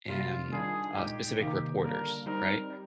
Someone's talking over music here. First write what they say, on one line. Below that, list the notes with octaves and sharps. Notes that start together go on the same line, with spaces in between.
em, uh, specific reporters, right?
C3 G3 A#3 F4
D#3 G3 D4 F4 G#4
A#2 G#3 D#4 G4
C3 D#3 A#3 D#4
D3 G3 A#3 D4 A#4
G3 C4 D#4 A#4
G3